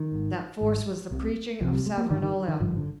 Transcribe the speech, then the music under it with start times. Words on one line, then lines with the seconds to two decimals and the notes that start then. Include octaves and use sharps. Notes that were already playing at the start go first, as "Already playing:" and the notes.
That force was the preaching of Savonarola.
Already playing: D#3
0.12 G#1 G#2
0.61 G#1 G#2
1.11 C2 C3
1.61 C2 F3
1.65 C3
1.73 G3
1.86 G#3
1.97 A#3
2.10 G#1 G2 D3 D#3
2.23 D#3
2.48 D#3
2.60 G#1 G2 D3 F3
2.77 D3